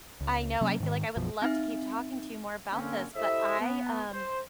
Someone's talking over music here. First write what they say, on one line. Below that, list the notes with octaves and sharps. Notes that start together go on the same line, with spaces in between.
I know. I feel like I would love to keep talking to you more about this, but I, um
C#2
C3 F#3 A#3 C#4
G#2 D#3
B1 F#2 B2 F3
C4 D#4 E5
D3 A#3 C4 C#4
E4 G4 A4 C5 D#5 E5
B3
C5